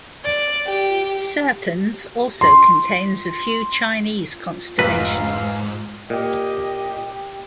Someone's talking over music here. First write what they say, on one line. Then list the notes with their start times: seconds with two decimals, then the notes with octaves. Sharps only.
Serpens also contains a few Chinese constellations.
0.25 D5
0.66 G4
2.41 C6
4.79 F1 G#2 B4 F5
6.10 A#2 G4 D#5